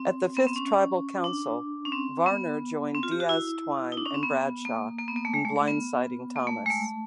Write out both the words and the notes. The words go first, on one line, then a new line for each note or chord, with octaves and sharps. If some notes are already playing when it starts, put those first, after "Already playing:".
At the fifth Tribal Council, Varner joined Diaz-Twine and Bradshaw in blindsiding Thomas.
Already playing: C4
B3
C4
C#4
D4
C#4
C4
B3
C4
F4
G4
F#4
E4
D#4
D4
C#4
C4
B3
A#3
A#3
B3
A#3
A3
G#3
A3
A3
B3
A#3
A3
G#3
A3